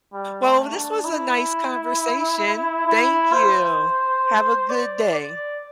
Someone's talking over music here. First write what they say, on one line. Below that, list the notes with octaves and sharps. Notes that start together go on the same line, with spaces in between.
Well, this was a nice conversation. Thank you. Have a good day.
G3
A3
D4
E4
E4
C5
D5
D5